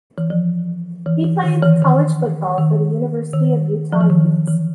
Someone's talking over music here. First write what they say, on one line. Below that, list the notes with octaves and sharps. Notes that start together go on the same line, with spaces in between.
He played college football for the University of Utah Utes.
E3
F3
E3
E3
D#3
E3
D#3
D#3
D#3
F3
E3
D#3
E3